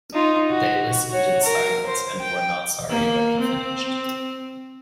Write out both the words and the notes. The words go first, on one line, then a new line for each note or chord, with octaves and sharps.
They listened in silence, and were not sorry when he finished.
D#4 F4
F#4
F#4 C#5
A#4
C5
G5
A#3
C4